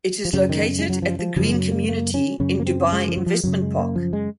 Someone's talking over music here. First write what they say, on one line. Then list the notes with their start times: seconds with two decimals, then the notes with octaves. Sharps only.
It is located at the Green Community in Dubai Investment Park.
0.25 F3
0.33 F#2 C#3 F#3
0.50 D#3
0.79 G#3
0.89 F#3
1.02 F3
1.19 F3
1.36 F#2 C#3 F3
1.45 G#3
1.54 F#3
1.72 A#3
1.89 A#3
2.14 C#4
2.40 F#2 C#3 C#4
2.60 A#3
2.66 C4
2.93 G#3
3.09 F3
3.18 F#3
3.26 F3
3.44 F#2 C#3 F#3
3.62 G#3
3.78 A#3
3.96 F3
4.13 G#3